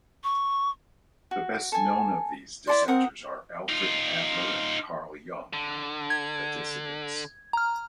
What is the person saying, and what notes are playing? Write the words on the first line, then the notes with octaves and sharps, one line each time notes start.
'The best-known of these dissenters are Alfred Adler and Carl Jung...The Dissidents'.
C#6
F#4
A4 G#5
E4 A4 D5 C6
C4 A#4 F#5 D#6
D#4 F4
D3
G#6
A#5 F6